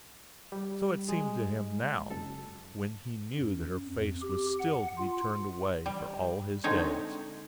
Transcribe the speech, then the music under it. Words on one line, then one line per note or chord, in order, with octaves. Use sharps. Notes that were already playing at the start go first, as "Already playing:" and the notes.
So it seemed to him now when he knew that her face was still to be turned away for all his days.
G3
G#3
F#1 A4
F#2
F2
G4
F#5
F4
G3
D3 G#3 C4 D#4 C#5